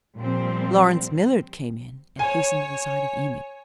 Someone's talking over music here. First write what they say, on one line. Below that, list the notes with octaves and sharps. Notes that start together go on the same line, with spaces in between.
Lawrence Millard came in and hastened to the side of Enid.
A#2 F3 G3 C4
C#5 G#5